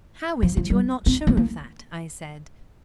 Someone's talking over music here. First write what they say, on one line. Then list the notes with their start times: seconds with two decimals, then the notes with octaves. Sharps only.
"How is it you are not sure of that?" I said.
0.43 F3
0.57 F3
0.70 G3
1.06 C4
1.27 A#3
1.37 A#3